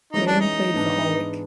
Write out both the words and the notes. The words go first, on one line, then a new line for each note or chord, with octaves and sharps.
Graham played for Hawick.
E3 G#3 C#4 D#4
D4
D#4
G#2 E3 G#3 B3 D4